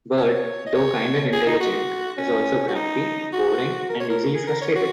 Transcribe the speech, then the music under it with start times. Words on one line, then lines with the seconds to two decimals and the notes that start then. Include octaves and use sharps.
Bert, though kind and intelligent, is also grumpy, boring, and easily frustrated.
0.18 C#5
0.66 D#5
0.75 C#5
1.33 G#4
1.46 D#4
1.60 F#4
2.18 C#4
2.68 F#4
2.75 D#4
3.33 F#4
3.89 A#4
4.00 C#5
4.10 A#4
4.35 G#4
4.47 A#4
4.62 C#5
4.76 F#4